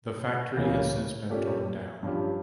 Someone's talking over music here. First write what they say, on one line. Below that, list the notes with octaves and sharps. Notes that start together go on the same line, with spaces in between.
The factory has since been torn down.
C#2 C#3 E3 A#3 C#4
A#2 A3 C#4 G4
G2 F3 C#4 G4